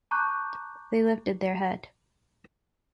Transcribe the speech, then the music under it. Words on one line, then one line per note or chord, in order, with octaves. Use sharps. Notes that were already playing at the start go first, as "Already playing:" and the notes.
They lifted their head.
A5 A#5 C#6 D6 F#6 G6